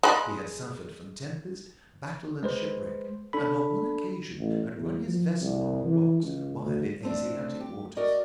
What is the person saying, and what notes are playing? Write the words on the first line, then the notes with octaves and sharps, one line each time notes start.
He had suffered from tempest, battle and shipwreck, and on one occasion had run his vessel on the rocks while in Asiatic waters.
G#3 B5
G#3 B4 C5
D4 A4 B5
A1
E2
F3
C2
E3
C#2
D2
A3 C4 D4
G4
F#4 A#4 D5 D#5